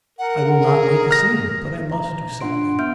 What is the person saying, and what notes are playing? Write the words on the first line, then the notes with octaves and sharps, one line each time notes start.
'I will not make a scene, but I must do something....
A#4 F#5
G#4
F6 A#6
A#5 A#6
D4 F4 F#5 C6 D7
B3 E5 F6 G6 D7